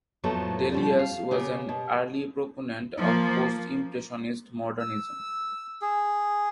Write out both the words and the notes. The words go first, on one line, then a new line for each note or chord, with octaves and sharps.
Delius was an early proponent of post-impressionist modernism.
F2 A2 F3 F#3 B3 A4
B2 F3 G3
F5
C#3 B3 G4 A#4
B2
F3 A#3
E6
G#4